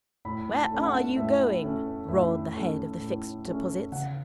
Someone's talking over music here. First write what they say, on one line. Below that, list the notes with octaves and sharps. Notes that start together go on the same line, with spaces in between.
'Where are you going,' roared the head of the Fixed Deposits.
A2 B5
A5
A3 C#4
F#5
A2 E5
A3 C#4
A2 E5
A3 C#4
A2
A3 C#4
C#3 F#5